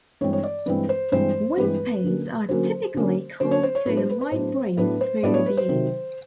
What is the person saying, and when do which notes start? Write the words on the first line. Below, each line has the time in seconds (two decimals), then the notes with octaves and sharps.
Wind speeds are typically calm to a light breeze through the year.
0.21 G2 E3 G#3 C4 C#5
0.33 C#5
0.44 D5
0.66 G2 E3 G#3 C4 B4
0.89 C5
1.12 G2 E3 G#3 C4 C5
1.57 G2 E3 G#3 C4 B4
2.04 D3 F#3 A#3 C#4
2.49 D3 F#3 A#3 C#4 C5
2.94 D3 F#3 A#3 C#4
3.40 D3 F#3 A#3 C#4 C5
3.51 C#5
3.63 C5
3.75 C#5
3.85 A2 F#3 B3 D4 B4
3.97 C5
4.09 B4
4.21 C5
4.31 A2 F#3 B3 D4 C5
4.77 A2 F#3 B3 D4 B4
5.01 C5
5.23 A2 F#3 B3 D4 D5
5.34 C#5
5.46 B4
5.57 C5
5.69 C3 D#3 F#3